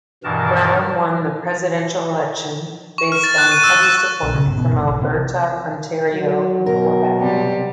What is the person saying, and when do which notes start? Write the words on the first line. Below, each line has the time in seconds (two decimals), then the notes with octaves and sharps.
Brown won the presidential election based on heavy support from Alberta, Ontario and Quebec.
0.24 G2 B2 D#3 E3 A#4 A5
2.98 C#6
3.12 F6
3.24 A6
3.38 F#6
3.52 D#7
3.63 E6
3.83 C#6
4.23 B1
4.35 C#3
4.46 G1
4.58 B2
4.71 G1
4.89 A#1
5.02 C3
6.12 F#3
6.66 B2 A#4
7.18 C3 G3